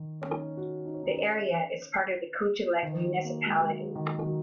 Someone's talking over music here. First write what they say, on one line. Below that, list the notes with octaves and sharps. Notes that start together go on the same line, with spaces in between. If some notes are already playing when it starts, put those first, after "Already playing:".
The area is part of the Kujalleq municipality.
Already playing: D#3
C#4
D#4
F#4
D#4
C#4
D#4
C#4
D#3
F#3
A#3
G#3
G#3
F#3
D#3
D#3
F#3